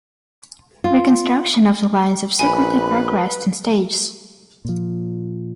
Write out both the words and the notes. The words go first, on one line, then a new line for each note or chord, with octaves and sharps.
Reconstruction of the line subsequently progressed in stages.
F4
A#1 B4 G#5 B5
A#2 F3